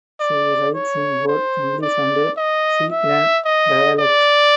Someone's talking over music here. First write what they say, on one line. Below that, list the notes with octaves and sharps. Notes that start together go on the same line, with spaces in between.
She writes in both English and Shetland dialect.
D5
C#5
C5
D5
D#5
E5
D#5
D5